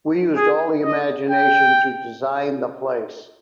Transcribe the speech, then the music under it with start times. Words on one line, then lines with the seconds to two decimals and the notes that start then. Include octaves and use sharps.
We used all your imgination to design the place.
0.36 G#4
0.84 D#5
1.31 G5